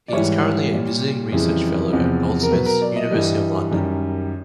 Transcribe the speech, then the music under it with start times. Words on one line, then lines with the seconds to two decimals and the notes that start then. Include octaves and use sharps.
He is currently a Visiting Research Fellow at Goldsmiths, University of London.
0.08 D5
0.12 G#2 E3 G3 C#5
0.73 A#2 G3
1.32 F2 C#3 E3 G3
1.92 E2 C3 F3
2.43 A#4
2.51 B2 F#3 B4
2.66 A#4
2.82 D5
2.96 D#5
3.11 G2 E3 G3
3.71 F#2 D#3 G3